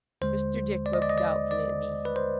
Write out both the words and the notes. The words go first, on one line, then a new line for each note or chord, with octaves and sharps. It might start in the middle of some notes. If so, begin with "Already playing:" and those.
Mr. Dick looked doubtfully at me.
D#2 D3 G#3 C5
D5
D#5
D5
D#5
D5
D5
B4
C5